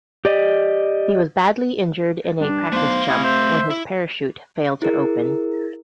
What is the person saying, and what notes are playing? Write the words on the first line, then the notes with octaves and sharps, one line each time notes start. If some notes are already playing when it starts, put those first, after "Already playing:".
He was badly injured in a practice jump when his parachute failed to open.
G4 D5 D#5
G2 D4
B1 A3 C5 F5
C3 C#4 E4 D#6
C5 E5
E4
E4 G#4 A#4